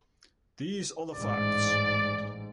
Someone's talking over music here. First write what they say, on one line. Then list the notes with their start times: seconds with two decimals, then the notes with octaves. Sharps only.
These are the facts.
1.14 A1 G#2 D5